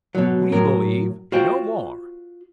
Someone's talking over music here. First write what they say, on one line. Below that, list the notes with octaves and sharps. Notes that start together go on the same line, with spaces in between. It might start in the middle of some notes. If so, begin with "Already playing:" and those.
We believe no more.
B2 F#3
A2 F#3 A#4
F4 F#4 C5 G5